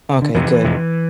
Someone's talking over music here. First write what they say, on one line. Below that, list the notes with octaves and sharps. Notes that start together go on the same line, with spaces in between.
Okay, good.
D3
F2 C3 E3
F2 C3